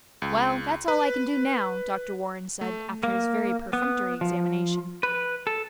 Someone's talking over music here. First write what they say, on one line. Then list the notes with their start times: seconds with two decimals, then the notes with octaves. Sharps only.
"Well, that's all I can do now," Dr. Warren said, after his very perfunctory examination.
0.22 C#2
0.88 B4
2.61 A3
3.03 A#3
3.73 B3
4.21 F3
5.03 B4
5.47 A4